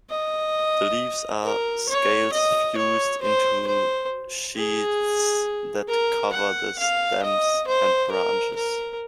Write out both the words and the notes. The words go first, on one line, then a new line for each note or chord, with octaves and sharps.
The leaves are scales fused into sheaths that cover the stems and branches.
D#5
A#4
C#5
D#5
C#5
C5
C5
G#4
A#4
F#5
F5
D#5
C5
A#4
A#4